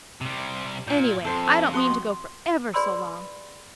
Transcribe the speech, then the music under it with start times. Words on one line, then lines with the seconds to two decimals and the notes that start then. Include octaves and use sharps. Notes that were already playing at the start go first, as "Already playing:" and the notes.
Anyway, I don't mean to go for ever so long.
0.21 C3 G3
0.88 A#2 G6
1.24 F2 A4 C5
1.74 F#4 C6 D#6
2.74 G#4 B4 D5 B5 C6 E6